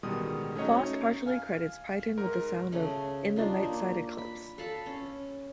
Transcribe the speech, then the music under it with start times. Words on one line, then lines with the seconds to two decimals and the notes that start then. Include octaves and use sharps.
Faust partially credits Pytten with the sound of "In the Nightside Eclipse".
0.03 A1 B2 D#3 G3 G#3 D#6
0.56 A3 C#4 D#4 F#4 C#5 D#5
1.26 F5 G#5 F6
2.17 G#2 A#4 A#5
2.72 C#3 A3
3.36 D4 D#4 F4
3.63 A#3
4.18 B5
4.58 A4 F5 A5 B5
4.86 C#4